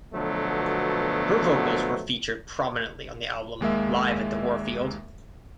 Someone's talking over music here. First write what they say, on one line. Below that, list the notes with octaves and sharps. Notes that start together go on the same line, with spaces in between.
Her vocals were featured prominently on the album "Live at the Warfield".
B2 D3 F3 F#3 A3 B3
D#2 G#3 A#3 E5